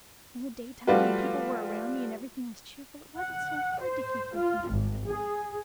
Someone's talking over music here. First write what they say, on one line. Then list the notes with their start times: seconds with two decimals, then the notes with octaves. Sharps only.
In the daytime, when people were around me and everything was cheerful, it wasn't so hard to keep from thinking of it.
0.87 F3 G3 A3 F4 F#4 B4
3.20 F#5
3.80 C5
4.34 F4
4.70 G#1
5.06 G#4